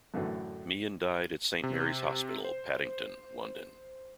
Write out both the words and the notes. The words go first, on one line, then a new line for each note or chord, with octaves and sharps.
Meehan died at Saint Mary's Hospital, Paddington, London.
F#2 A2 D3 E3 F#3
C3
C5